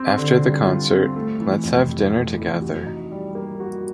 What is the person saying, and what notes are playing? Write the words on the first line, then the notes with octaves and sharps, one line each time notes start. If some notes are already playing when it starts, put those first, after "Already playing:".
After the concert, let's have dinner together.
Already playing: C4
D3
G3
F4
C4
A3
E3
F2
C3
A3
E3
F#4
D#4
G3
A#3
F#4